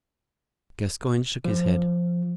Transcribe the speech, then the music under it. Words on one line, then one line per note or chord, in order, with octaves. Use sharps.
Gascoyne shook his head.
F3